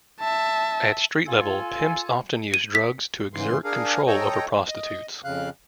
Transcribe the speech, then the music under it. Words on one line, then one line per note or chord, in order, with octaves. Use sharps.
At street level, pimps often use drugs to exert control over prostitutes.
E5 A5
F4 A4 G#5
D#7
B6
G#2 C#3 E3 C6
D4 G#4 A#4 F5
A4 C#5 D#5 G5 A#5
D#5
F2 C#3 F5 F#6